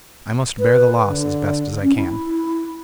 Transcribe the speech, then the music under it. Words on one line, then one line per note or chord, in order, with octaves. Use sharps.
I must bear the loss as best as I can.'
B4
D3
C#4
E4